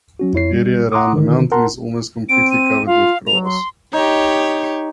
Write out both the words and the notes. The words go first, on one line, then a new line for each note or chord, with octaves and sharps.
The area around the mountain is almost completely covered with grass.
F#3 C#4 F#4
F2 E4 C#5 C7
G3
F#5 A#5 C6 D6 D#6
D3 D#3
A#4 F#5 A5 A#5 C6
C4 D7
D#7
F4 F5
F#3 F7
C6
D#4 G4 C#5